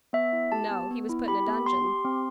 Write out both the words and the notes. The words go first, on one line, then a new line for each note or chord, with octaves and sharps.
"No; he was put in a dungeon."
B3 E5
E4
G4 A5
B3
B3
E4
G4 B5
B3
G4 C6
G4
C4